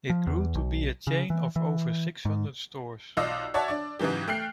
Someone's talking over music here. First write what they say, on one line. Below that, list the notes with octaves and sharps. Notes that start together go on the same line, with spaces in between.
It grew to be a chain of over six hundred stores.
F3
E2
B1
C#3
E3
E3
G#2
B1 F4 D5 D#5 E6
F#4 C#5 D5 E5 A5
D4 D5
G#2 C#3 E3 F#3 G4
A3 G5 F6 F#6 C7